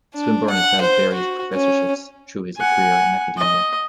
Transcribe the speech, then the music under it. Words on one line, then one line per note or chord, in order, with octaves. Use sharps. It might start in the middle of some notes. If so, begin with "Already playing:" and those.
Swinburne has held various professorships through his career in academia.
D4
F#5
C5
F#4
C#4
F#5 G#5
D#5